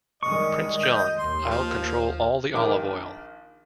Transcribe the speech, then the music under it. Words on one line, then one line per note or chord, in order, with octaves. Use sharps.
Prince John: I'll control all the olive oil!
D#3 G3 G#3 D#5 C#6
G6
D#2 C6
F3
A#1 D#3 A#4 D6